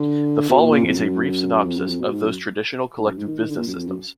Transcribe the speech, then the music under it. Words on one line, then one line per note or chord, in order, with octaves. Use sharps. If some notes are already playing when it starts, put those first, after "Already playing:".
The following is a brief synopsis of those traditional collective business systems.
Already playing: D3
B2
A#2
A#2
F2
F#2
F2
F#2
F2
B2
G#2
F#2
G#2
F#2
G#2
D#3
D#3
D3
A#2
F#2
F2
F#2